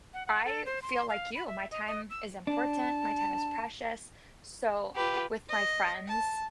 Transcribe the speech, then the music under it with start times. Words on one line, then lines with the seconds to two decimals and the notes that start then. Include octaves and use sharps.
I feel like you, my time is important. My time is precious, so, with my friends
0.14 F#5
0.27 F#5
0.45 A4
0.66 C5
0.82 C6
1.09 F5
1.35 B5
1.47 E5
1.71 D#5
1.87 D#5
2.10 E6
2.47 D4 A5
4.96 F4 G4 B4
5.49 D#5
6.08 A5